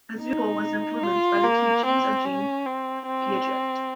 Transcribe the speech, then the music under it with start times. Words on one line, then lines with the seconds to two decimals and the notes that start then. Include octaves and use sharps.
Ausubel was influenced by the teachings of Jean Piaget.
0.22 D#4
1.03 F4
1.44 A#3
1.85 C4
2.25 C#4
2.66 C4
3.06 C4